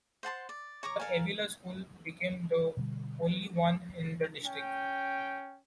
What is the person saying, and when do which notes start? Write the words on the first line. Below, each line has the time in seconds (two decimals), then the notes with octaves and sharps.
The Avilla school became the only one in the district.
0.23 C5 F#5 A5 C6
0.49 D5
0.83 C#5 A#5 C#6 D6
1.00 A4 A#4 F5 G#5
2.77 B2 D3 F#3 G3
4.46 C#4 G5